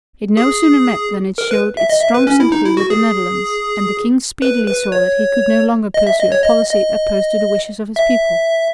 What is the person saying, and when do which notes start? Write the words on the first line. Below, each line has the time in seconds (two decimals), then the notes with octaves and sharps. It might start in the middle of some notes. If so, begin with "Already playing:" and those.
It no sooner met than it showed its strong sympathy with the Netherlands; and the king speedily saw that he could no longer pursue a policy opposed to the wishes of his people.
0.37 G#4
1.38 A#4
1.51 B4
1.77 E5
1.90 D#5
2.01 E5
2.14 B4
2.27 C#4
2.40 E4
2.52 D#4
2.65 E4
2.77 F#4
2.90 G#4
4.42 B4
4.68 B4
4.92 C#5
5.94 D#5
6.07 E5
6.19 D#5
6.32 C#5
6.44 D#5
6.69 D#5
7.96 E5